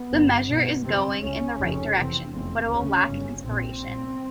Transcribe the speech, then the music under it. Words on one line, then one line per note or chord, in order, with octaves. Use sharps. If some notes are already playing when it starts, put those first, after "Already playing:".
The measure is going in the right direction, but it will lack inspiration.
Already playing: B3
G1 G2
B1 B2
G1 F2 C3 C4
C#2 C#3 C#4
F1 F2 C#3
F1 E2 C3 C4
F1 E2 C#3 C4
D2 C#3 C#4
G1 F#2 C#3
A#1 A#2 C4
C2 A#2